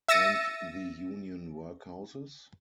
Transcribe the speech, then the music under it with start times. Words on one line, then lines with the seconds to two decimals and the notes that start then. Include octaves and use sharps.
And the Union workhouses?
0.08 E5 E6 A6 A#6 C#7 D#7